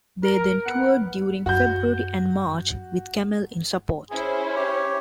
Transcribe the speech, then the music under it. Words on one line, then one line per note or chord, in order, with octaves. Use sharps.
They then toured during February and March with Camel in support.
A#4
B3 F#5
F#2 F#3 F#4 G6
C#4 E4 G#4 C5
G4 C#5